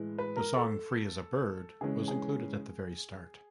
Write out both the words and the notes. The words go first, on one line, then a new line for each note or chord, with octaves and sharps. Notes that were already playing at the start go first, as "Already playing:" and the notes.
The song "Free as a Bird" was included at the very start.
Already playing: A2 E3 G#3
B4
A#4
A4
C#3 E3 G#3 C#4 G#4
G#4